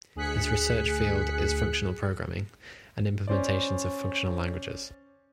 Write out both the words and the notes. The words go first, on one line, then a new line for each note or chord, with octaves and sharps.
His research field is functional programming and implementations of functional languages.
D2 G#4 F#6 B6 C#7
C#4 C5 D5